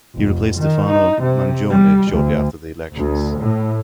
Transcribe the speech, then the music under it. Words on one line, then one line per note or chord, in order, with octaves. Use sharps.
He replaced Stefano Mangione shortly after the elections.
F1
D#3
D#4
C3
G3
D2
D2
A2